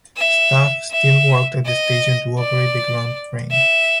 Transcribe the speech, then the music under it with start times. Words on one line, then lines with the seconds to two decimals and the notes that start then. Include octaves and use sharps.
Staff still worked at the station to operate the ground frame.
0.16 E5
0.91 E5
1.65 D#5
2.39 D5
3.51 E5